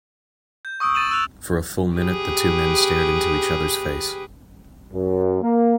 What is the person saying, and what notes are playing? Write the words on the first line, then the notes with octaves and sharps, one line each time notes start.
For a full minute the two men stared into each other's face.
G6
C#6 D#6 E6 D7
A6 D#7 E7 F#7
E6 F#6 F7
G4 G#4 B4
F#2
A#3